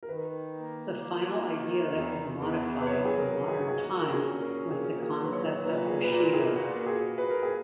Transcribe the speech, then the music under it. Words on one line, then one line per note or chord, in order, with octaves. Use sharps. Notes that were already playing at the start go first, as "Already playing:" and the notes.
The final idea that was modified in modern times was the concept of Bushido.
A#4
D#3 B4
A#3
A#3
D#3
E2
E2
B4
F#3 C#5
G#4
A#4
D#3
G#4
F#4
G#4
A#2 F#4
A#4
G#4
C#4
A#4
A#2 G#4
G#4
F#3
B4
C#5
A#2 B4
G#4
B4
A#2 A#4
A#4
G#4
A#2 F#4
G#4
A#2
B4
A#4
G#4